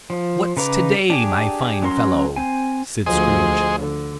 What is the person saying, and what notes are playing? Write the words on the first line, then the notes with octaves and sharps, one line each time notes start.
"What's to-day, my fine fellow?" said Scrooge.
F3
C#3 D#4 B4 A#5 D6
D4 G4 G#4
F#3 C#4 A#4 C6
C4 G#5
D2 F3 G#4 C5 D#5
D3